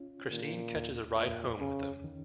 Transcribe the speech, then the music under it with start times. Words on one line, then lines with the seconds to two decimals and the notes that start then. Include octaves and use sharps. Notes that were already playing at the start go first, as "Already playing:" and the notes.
Christine catches a ride home with them.
Already playing: C#4 F4
0.31 A#2 D#3
0.75 D#2
1.17 F2 A#2
1.61 C#3 C#4
2.04 D#3